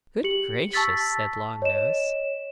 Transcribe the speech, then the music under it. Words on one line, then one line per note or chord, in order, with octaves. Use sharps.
'Good gracious!' said Long Nose.
G4 C#7 F#7
A5 C#6 E6 A6 B6
C#5 D#5 E7